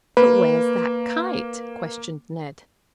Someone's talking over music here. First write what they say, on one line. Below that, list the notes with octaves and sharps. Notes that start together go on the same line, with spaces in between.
"But where's that kite?" questioned Ned.
A#3 B4